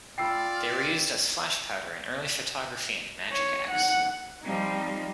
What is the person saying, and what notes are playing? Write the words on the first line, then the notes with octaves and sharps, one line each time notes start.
They were used as flash powder in early photography and magic acts.
F4 D5 G5 B5 E6 C7
C#5
F#5
F3 G3 C4 D#4